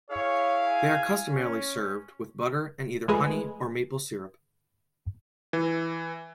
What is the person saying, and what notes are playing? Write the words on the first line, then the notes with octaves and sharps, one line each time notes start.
They are customarily served with butter and either honey or maple syrup.
E4 G#4 C#5 F5
G#5
C#4
F2 G#3 A3 G#4 B4
E3